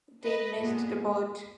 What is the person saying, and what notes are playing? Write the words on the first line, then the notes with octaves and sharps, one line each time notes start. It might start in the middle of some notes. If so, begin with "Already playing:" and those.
They missed the boat.
B4 D#5
A#2 G#3 B3